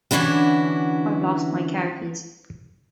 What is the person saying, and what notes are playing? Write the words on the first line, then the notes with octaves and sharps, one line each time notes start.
I've lost my car keys.
D3 E3 C#4 D4 E4 F#4